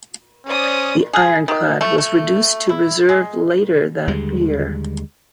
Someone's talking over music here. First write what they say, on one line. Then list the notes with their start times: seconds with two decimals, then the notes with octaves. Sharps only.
The ironclad was reduced to reserve later that year.
0.46 C#4 C5 D5 D#6
1.13 G#4
1.48 D#3
1.81 A3
1.98 A3
2.69 E4
3.09 G#3
4.08 D#2 D3 G3 G#3